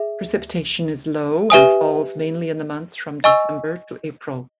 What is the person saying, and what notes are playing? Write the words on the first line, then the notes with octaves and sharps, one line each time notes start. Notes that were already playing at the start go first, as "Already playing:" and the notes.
Precipitation is low, and falls mainly in the months from December to April.
Already playing: G#4 E5
G4 B4 E5 G#5 D#6
D#5 G#5 C#6 E6